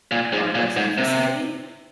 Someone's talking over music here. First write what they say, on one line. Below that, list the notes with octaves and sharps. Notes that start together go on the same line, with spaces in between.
our rescue facility,
A#2
G#2
A#2
G#2
C3